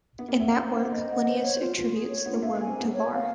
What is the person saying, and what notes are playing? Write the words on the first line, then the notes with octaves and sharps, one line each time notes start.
In that work, Linnaeus attributes the word to Varr.
B3
A#3
A3 F#5
C#4
C4 C5
C4 C5
A#3
B3 D#5
F#5
C5
C#5
F4
F4
G#4
C#5
B3 F4
A#3
A3 F5
A#3
G#5
C4
B3 G#4
C#5
F5